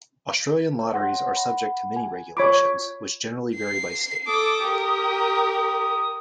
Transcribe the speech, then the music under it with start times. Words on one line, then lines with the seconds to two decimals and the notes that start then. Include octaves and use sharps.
Australian lotteries are subject to many regulations, which generally vary by state.
0.79 C#5
0.94 F#5 C6 A#6
1.33 F#5 B5
1.96 G#5
2.37 F4 C#5 B5 D6 G#6
3.56 C7
4.27 A4 D6 D#6
4.64 G4 A#4
5.67 D#6